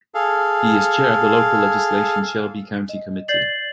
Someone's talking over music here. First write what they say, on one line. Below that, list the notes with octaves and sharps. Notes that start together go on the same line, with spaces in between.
He is chair of the Local Legislation Shelby County Committee.
G#4 A4 F5
D#5
D5 G6 A6 C7 F#7